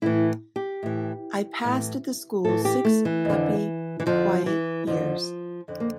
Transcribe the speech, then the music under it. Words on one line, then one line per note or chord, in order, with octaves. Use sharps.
I passed at the school six happy, quiet years.
A2 E3 E4
G4
A2 E3
A2 E3
A2 E3 A4
G4
A3
E3
F2 D3
E3
F2 D3 F3
E3
F2 D3 F3
F2 D3
A#3